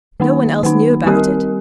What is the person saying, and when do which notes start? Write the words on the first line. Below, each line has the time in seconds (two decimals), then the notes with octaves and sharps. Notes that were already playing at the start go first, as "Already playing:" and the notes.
No one else knew about it.
0.20 D#3 A#3 D#4
0.63 D#3 A#3 D#4
1.05 G3 C4 G4 A#4